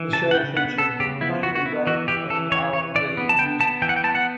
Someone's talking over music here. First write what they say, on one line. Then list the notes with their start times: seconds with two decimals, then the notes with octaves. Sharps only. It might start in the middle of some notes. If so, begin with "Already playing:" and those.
The show featured mainly rap and R and B Music.
Already playing: E3
0.13 C#3 A5
0.31 F#5
0.34 C#3 G5
0.57 B3 F#5
0.78 B3 A4
1.00 C#3 G4
1.21 B3 E4
1.43 B3 F#4
1.55 F#4
1.65 B3 E4
1.87 E3 F#4
2.08 E3 G4
2.30 E3 A4
2.52 E3 C#5
2.73 E3 C#5
2.95 E3 D5
3.17 B3
3.29 A5
3.38 B3 G5
3.60 B3 A5
3.82 E3 G5
3.89 F#5
3.96 G5
4.04 B3 A5
4.15 F#5